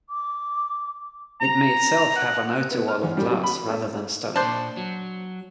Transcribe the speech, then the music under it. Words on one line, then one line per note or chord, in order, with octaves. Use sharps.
It may itself have an outer wall of glass rather than stone.
D6
A#5
F#5
B3
F6
E2
G3
F#3
B5
A3
A#2 D4 C5 A5
F#3